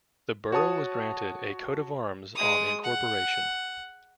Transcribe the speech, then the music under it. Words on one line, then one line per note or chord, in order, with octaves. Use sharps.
The borough was granted a coat of arms on incorporation.
F#4 C#5 A5 D#6
G#3 D#6
F#5